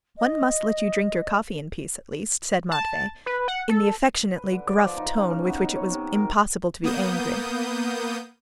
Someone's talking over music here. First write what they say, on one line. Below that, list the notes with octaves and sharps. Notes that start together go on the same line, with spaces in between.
"One must let you drink your coffee in peace, at least," said Matvey, in the affectionately gruff tone with which it was impossible to be angry.
D#5
A5
B4
F#5
A4
B4
D3
D5
F3
D#4
C#3
C#4
B3
D#4
C#5
C3
A#4
A#3 B3 D#6 G6